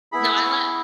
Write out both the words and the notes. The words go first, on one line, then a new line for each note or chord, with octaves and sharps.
No, I li
B3 E4 G#4 B5
C#6